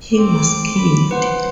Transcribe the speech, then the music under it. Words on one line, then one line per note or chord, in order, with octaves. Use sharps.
Hill was killed.
C4 D6
B5
B4 C5 F#5